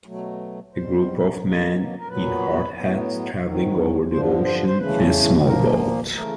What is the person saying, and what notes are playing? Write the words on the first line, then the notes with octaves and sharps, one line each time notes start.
A group of men in hard hats traveling over the ocean in a small boat.
B2 F#3 A3
E2 B2 G3 C5
B2 F#3 A#3
A#4
A#2 F#3 B3 B4
A2 F#3 B3
G#2 D#3 F#3
G2 D3 F3 C5
C5
C5
C#3 E3 A3 B4
A#2 F3 A#3 A#4
C#3 E3 A3 A#4